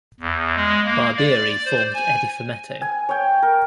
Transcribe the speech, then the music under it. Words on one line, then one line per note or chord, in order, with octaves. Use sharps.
Barbieri formed Edifumetto.
E2
G#3
A#3
D5
C5
G#5
G#5
C#5 G5
A#4